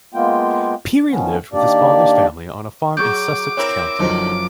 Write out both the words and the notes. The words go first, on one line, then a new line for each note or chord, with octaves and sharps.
Peery lived with his father's family on a farm in Sussex County.
G#3 A#3 B3 F4 G5
D#3 F3 B3 C#4
D#3 A#3 D4 G4 D5
F#3 G#4 C#6 D6 G6
C4 E4 A#4 C#5
F#1 F#2 D3 F3 D#4